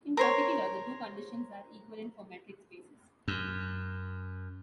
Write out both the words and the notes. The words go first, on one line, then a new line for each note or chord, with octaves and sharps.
In particular, the two conditions are equivalent for metric spaces.
A#4 C5 C#5
F#2